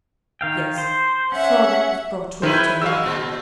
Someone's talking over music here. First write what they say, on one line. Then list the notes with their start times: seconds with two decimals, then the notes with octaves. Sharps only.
Yes; her frolic was brought to an eternal end.
0.41 D#3 F5 G5
0.78 C5
1.32 C#4 E5 F#5
2.42 D#3 G#3 E4 B4 C5
2.54 G6 G#6
2.82 F#3 G#3 F#4 F5 E6
3.06 A#2